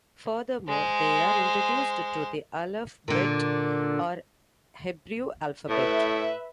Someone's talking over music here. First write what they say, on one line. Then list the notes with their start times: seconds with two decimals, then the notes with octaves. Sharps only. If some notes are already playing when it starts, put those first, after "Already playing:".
Furthermore, they are introduced to the Aleph-Bet or Hebrew alphabet.
0.68 G#3 C5
3.08 A#2 D3
5.69 A2 B4 E5